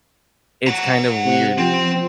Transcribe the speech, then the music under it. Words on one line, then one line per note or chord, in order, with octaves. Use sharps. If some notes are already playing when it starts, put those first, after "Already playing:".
it's kind of weird
F#5 A#5
C3
F3 C4